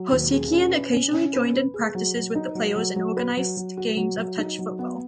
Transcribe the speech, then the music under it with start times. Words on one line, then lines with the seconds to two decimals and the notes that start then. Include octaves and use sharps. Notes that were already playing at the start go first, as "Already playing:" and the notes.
Parseghian occasionally joined in practices with the players and organized games of touch football.
Already playing: F#3
0.12 D#2
0.32 G#4
0.52 C#4
0.72 B4
0.93 C#4
1.13 C#4
1.33 B4
1.53 B4
1.74 G#4
1.95 F#3
2.15 F#3
2.35 D#4
2.55 F#3
2.76 F#3
2.96 F#3
3.17 B4
3.37 F#3
3.57 F#3
3.77 F#4
3.97 F#3
4.18 F#3
4.38 D#4
4.59 F#3
4.79 B3